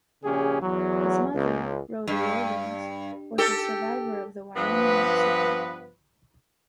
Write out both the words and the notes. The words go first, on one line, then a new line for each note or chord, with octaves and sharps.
His mother, Rhoda Williams, was a survivor of the Wyoming Massacre.
A#1 C#3 C#4 G4 G#4
E2 F#3
C#2
G2
G4 A4
G2 F3 B3 B4